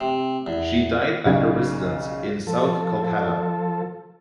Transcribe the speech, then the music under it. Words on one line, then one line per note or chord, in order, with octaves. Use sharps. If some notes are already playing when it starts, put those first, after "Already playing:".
She died at her residence in south Kolkata.
C3
E2
B1 C#3 D5 F5 G#6
F3 A4